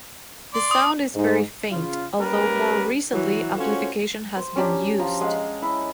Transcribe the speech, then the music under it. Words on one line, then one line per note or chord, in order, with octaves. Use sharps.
The sound is very faint, although more recently amplification has been used.
D5 C6
D#6
G#2
C#3 F4
G3 A#3 C#4 G4 A#4 B4
E3 F#3 F#4
C#4 F4 F#4 A4 C5 C#5
C5
C#4 D4 G4 A#5
F3 A#5
G#3 F5 F#5
E4